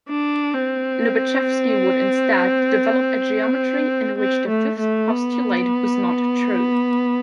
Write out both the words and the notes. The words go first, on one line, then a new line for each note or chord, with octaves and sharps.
Lobachevsky would instead develop a geometry in which the fifth postulate was not true.
D4
C4
C4
A3
A3
B3